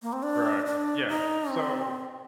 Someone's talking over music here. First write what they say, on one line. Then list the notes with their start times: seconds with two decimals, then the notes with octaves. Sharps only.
Right. Yeah. So,
0.02 A#3
0.13 C4
0.23 D4
0.66 D4
1.08 D#4
1.51 C4